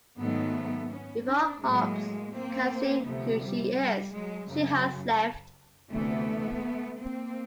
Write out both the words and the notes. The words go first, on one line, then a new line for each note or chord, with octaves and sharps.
Before Hobbs can see who she is, she has left.
G#2 D#3 F#3 A3 B3
B3 C#4
C4 D4
A2 F#3 G#3 A#3
A#3 C4
D2 C3 F3 A3 B3
G3
G3
F#3 G#3
F#2 C#3 F#3
D2 C3 E3 A3 B3
A#3 C4